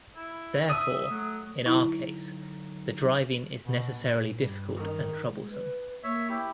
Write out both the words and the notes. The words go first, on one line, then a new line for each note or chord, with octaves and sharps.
Therefore in our case the driving is necessarily difficult and troublesome.
E4
E5 D#6
F#3 A3
D3 F#3 D#4 E4
B2
A#2
G2
D#3
G#3
B4
A#3 C#5 E5
E4 G4